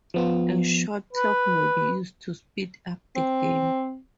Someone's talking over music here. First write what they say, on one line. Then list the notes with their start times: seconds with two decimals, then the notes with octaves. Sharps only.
A shot clock may be used to speed up the game.
0.14 F3 B3 F4
1.13 B4
3.16 C4